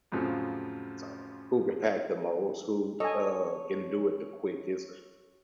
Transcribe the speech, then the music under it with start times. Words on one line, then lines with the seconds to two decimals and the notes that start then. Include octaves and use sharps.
So, who can pack the most, who, uh, can do it the quickest,
0.12 F2 A2 C#3 F3 F#3
3.00 A4 C#5 D#5 G#5